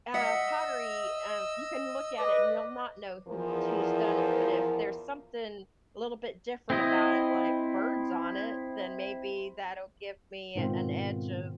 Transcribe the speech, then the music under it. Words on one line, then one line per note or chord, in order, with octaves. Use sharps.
uh, pottery, um, you can look at it and you'll not know who who's done it, but if there's something a little bit different about it, like, birds on it, then maybe that'll give me an edge of,
D#5 E5 F#5 E6
B4 D5 D#5
E2 F3 A#4
C4 E4 D#5
G#2 B2 D#3 B3 C4 F4